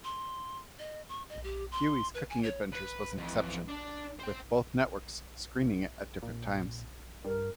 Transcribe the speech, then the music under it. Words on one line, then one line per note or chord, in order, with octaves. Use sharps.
Huey's Cooking Adventures was an exception, with both networks screening it at different times.
C6
D#5
C#6
D#5
G4
C6
B4
G#5
C#5
B4
F2 E3
D4
C5 G5
A#2
G2 A#4